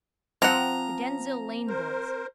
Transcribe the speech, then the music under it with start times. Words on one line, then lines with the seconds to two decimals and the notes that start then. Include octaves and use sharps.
The Denzille lane boys.
0.42 F3 C4 F#5 A#5
1.68 A#4 C5